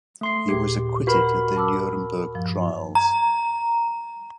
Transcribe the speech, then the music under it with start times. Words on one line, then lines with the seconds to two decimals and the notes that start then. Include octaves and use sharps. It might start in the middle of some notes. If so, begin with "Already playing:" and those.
He was acquitted at the Nuremberg trials.
0.21 A3 C6 C7
0.49 D#2 A#2 G4 G#4
1.07 F#4 A#4 B4 B5
1.56 A5 D6 E6
2.35 G2 F3
2.95 A#5